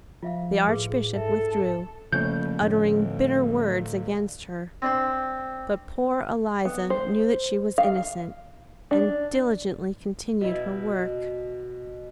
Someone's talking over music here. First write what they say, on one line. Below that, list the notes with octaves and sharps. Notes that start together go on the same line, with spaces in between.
The archbishop withdrew, uttering bitter words against her; but poor Eliza knew that she was innocent, and diligently continued her work.
F3 F4 E5 F5
A2 G#4 B4 C6
G#2 A4 E5
C#3 F3 A3 A#3 C#4 G6
A2 D3
C4 D4 C5
B3
C5
F5
D4
B2 E4